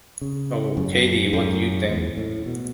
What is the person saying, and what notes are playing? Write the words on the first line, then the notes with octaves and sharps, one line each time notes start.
Oh, Katie, what do you think?
C#3
F#2
F#2
E2
A2
B2